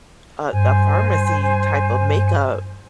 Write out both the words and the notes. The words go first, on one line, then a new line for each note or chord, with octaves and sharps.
a a pharmacy type of makeup
G2 C5 G#5